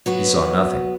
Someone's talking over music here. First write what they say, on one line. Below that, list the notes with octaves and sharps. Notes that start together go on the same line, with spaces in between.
He saw nothing.
F#3 B3 F#4